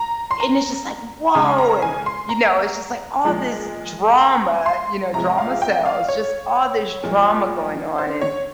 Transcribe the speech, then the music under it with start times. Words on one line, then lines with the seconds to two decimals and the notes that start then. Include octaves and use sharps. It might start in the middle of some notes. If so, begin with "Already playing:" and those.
and it's just like, "Whoa!" And, you know, it's just, like, all this drama, you know- drama sells- just all this drama going on, and
Already playing: A#5
0.31 C6
0.40 A#5
1.35 C#3 G#3 G#5
1.58 A#5
1.82 G#5
2.06 C6
2.29 A#5
3.25 A#2 F3 G#3
4.19 A#5
4.66 C6
5.14 C3 F3 G#3 A#5
5.38 F5
5.62 G5
5.85 F5
6.08 C#5
7.03 A#2 F3 G#3
7.98 C5
8.21 C#5